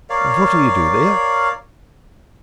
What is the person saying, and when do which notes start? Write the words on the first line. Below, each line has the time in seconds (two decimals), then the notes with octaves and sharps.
And what'll you do there?
0.10 A#4 C#5 D5 F5